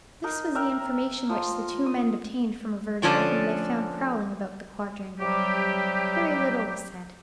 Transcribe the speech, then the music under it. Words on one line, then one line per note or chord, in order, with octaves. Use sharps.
This was the information which the two men obtained from a verger, whom they found prowling about the quadrangle, Very little was said.
D#4 A#4
A#4 E5 G5 A#5
F3 C6
D#6
D3 F3 C#4 D4 A4
C3 F#3 G3 G4